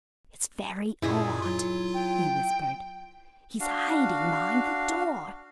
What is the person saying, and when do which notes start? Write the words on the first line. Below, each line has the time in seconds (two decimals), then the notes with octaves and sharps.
'It's very odd,' he whispered, 'he's hiding behind the door!
1.02 F#2 A#2 E4 G#4 D#5
1.42 F#3 F4
1.94 G5
3.60 D4 F#4 F5